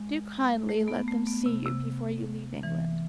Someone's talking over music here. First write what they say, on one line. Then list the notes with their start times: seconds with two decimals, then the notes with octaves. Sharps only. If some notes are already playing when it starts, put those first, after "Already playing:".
"Do kindly let them see you before you leave England."
Already playing: G#3
0.69 A3
0.88 B3
1.08 A3
1.27 B3
1.46 C3
1.66 C3
2.63 E3